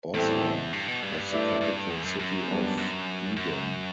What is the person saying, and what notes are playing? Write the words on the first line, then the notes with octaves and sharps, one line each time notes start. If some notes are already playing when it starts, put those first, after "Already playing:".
Bozrah was the capital city of Edom.
E2 A2 G3 C4 E4 A4
G2
B2
G2
A3 E4 B4 D5
G2
E2
F#2
F#2
G3 B3 D4
F#2
F#2